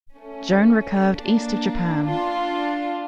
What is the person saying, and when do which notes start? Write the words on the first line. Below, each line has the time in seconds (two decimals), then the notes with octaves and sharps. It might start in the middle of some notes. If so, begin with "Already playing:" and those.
Joan recurved east of Japan.
0.16 A3 C#4
1.11 A#3 D4
2.05 D4 F4